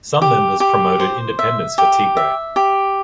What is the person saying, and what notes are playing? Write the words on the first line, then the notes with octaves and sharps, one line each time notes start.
Some members promoted independence for Tigray.
G4
G4
C5
E5
G4
E5
G4